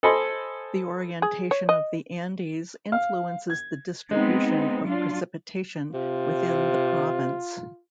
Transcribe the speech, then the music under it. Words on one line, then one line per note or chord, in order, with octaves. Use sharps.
The orientation of the Andes influences the distribution of precipitation within the province.
A4 C5 D#5 G#5 B5 C6
G#4
C#5
D#5
F5
G#6
G#3 B3 C4 D#4
F#3 D4 F4
C3 F4